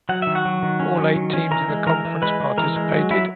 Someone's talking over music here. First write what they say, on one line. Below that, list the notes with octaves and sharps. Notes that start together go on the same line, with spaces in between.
All eight teams in the conference participated.
F#3 F#5
D#3 E5
F#4 F#5
F#3
D#3
C#4
F#3
D#3
C#4
E3 A#4 A#5
G#3
E3 A#4 A#5
E3
G#3 B4 B5
G#3
E3 A#4 A#5
G#3
F#3
F#3 E4 E5